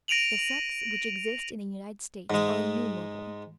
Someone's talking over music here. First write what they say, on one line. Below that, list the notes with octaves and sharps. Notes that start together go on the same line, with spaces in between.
The sects which exist in the United States are innumerable.
A#6 D7 D#7 F7 F#7
G#2 G#3